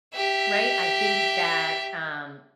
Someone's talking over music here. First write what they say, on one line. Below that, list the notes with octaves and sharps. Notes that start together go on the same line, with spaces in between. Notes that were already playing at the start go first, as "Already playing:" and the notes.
right? I think that, um,
G4 E5